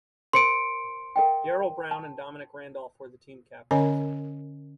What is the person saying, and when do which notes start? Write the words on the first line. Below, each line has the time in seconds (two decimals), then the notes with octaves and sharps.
Daryl Brown and Dominic Randolph were the team captains.
0.33 A#4 C5 C6 C#7 D7
1.16 A#4 D#5 G5
1.91 A5
3.71 D3 C#4 A#4 C#5 D#5 G#5